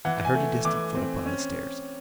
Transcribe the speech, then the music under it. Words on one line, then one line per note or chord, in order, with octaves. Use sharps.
I heard a distant foot upon the stairs.
E3 F#5
G#5
A3
E3 D6
C4
C#4